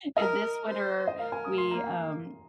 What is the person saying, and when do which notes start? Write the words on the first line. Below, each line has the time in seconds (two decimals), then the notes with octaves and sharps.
and this winter, we, um
0.16 A#4 D#5
0.68 C5
1.07 D#5
1.19 A#4 F5
1.32 G#5
1.44 D#6
1.58 C6
1.71 A#3 A#5